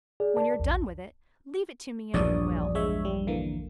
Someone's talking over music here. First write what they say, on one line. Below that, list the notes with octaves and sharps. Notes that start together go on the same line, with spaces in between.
When you're done with it, leave it to me in your will.
G#4 D5
A#4 D5 A5
A#1 E2
A#1 E2 G2 C#5 D5 D#6
G#3 C#5 E5
G3
D3 E3 A#3